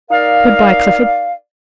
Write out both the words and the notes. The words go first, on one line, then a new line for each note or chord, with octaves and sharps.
Good-bye, Clifford.
D#4 A#4 D5 F5